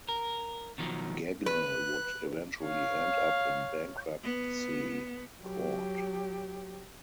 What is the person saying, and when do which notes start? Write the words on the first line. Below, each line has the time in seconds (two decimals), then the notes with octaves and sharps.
Gagne would eventually end up in bankruptcy court.
0.09 A#4
0.78 B2 D#3 F3 F#3
1.46 B4 F#6
2.63 C#5 F5
4.23 B3
5.42 F#3 G4